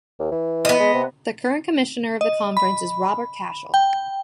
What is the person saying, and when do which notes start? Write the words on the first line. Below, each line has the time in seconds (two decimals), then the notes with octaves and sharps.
The current commissioner of the conference is Robert Cashell.
0.19 D#2
0.31 E3
0.65 B3 D#5
0.80 G#3
0.94 C3
2.21 D#5
2.57 B5
3.74 G5